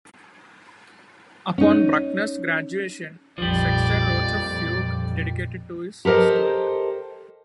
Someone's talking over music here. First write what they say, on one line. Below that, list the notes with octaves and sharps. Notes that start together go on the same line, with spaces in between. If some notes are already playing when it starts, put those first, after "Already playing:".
Upon Bruckner's graduation, Sechter wrote a fugue dedicated to his student.
C#4 D#4
A#1 F2 F3 G3 D5
G4 A4 A#4 C5 D#5